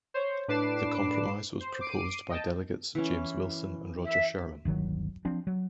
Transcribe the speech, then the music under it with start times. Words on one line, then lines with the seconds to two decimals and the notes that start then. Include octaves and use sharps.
The compromise was proposed by delegates James Wilson and Roger Sherman.
0.14 C5 C#5
0.48 A2 D4 B4 D6 C7 E7
1.61 C5
1.81 D6 C7 D7 D#7
2.30 D#5 G5 A5
2.95 E3 C#4
4.05 E5
4.65 D1 G1 D#3 F#3
5.25 F3 C4 D4
5.47 F#3